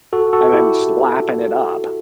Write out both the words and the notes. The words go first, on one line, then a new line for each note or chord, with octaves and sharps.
I'm I'm just lapping it up.
F#4 A4
F#4 A4
E4 G4